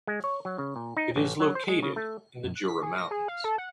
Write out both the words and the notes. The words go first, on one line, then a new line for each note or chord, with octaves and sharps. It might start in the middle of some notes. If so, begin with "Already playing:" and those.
It is located in the Jura mountains.
G#3
C#5
F#3
C#3
A#2
D#4
A1
F#3
C5
G#3
C#3
A3
F#2
F#6
B6
G#4
A#6
G#4
F5
A4
F#5